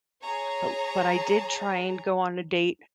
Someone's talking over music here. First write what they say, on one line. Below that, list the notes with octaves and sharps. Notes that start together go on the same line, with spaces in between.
But l but I did try and go on a date,
G#4 C#5 A#5